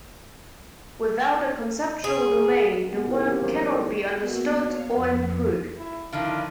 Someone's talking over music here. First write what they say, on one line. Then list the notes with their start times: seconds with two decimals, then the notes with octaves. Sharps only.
Without a conceptual domain, the work cannot be understood or improved.
2.04 G#4
2.93 G#3 A#3 B3 G4 F#5
3.07 D#4 E4 G#4 A#4 C5 C#5
3.25 G#3 A#3 C4 C#4 G4 A#4
3.39 E3 F#3 A3 A#4 C5 F5
3.56 A#4 C#5 D5
3.74 G3 A3 B3 E4 A4 D#5
4.16 A#3 B3 F#4 E5
4.53 C#5 F5
4.90 F2
5.77 E4
6.12 D3 D#3 F3 E4 F5